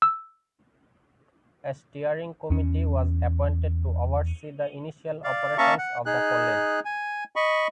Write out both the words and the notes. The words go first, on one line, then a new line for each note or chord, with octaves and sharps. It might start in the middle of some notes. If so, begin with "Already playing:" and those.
A steering committee was appointed to oversee the initial operations of the College.
E6
E2 C#4
D5 F5
A#3 C#4 E5 A5 A#5 C#6
F#5
D#4 G#4 F#6
G#5
D#5 B5 C#6